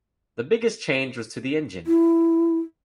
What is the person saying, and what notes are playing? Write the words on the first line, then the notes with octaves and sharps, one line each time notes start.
The biggest change was to the engine.
E4